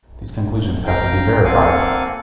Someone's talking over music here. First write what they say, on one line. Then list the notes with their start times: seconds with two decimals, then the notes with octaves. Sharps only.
These conclusions have to be verified.
0.87 F5 G5 A#5
1.44 A#3 C4 A4 F5 F#5 G#5